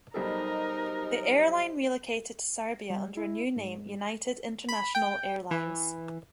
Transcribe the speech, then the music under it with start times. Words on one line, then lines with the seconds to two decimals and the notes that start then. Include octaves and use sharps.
The airline relocated to Serbia under a new name, United International Airlines.
0.14 B1 G3 D#4 G4 A4 A#4 C5 D#5
2.90 G3
3.17 E4
3.56 G#2
4.69 B5
4.95 G5
5.51 E3